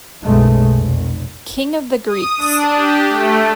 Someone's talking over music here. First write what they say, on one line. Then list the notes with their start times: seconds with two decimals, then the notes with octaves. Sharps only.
"King of the Greeks".
0.24 B1 F#2 G#3 A3
0.75 F1
2.07 D#6
2.37 D4
2.75 G4
3.09 A3